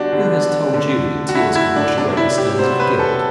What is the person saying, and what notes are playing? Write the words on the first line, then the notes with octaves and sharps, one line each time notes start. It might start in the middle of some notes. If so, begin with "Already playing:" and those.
Who has told you that tears can wash away the stains of guilt?
Already playing: D3 G3 B3 D4 F#4 G4
D3 G3 B3
D3 A3
F#4
D3 A3 E4
E4
D4
C3 F#3 B3 D4
E4
G4
C3 F#3 B3 C5
B4
A4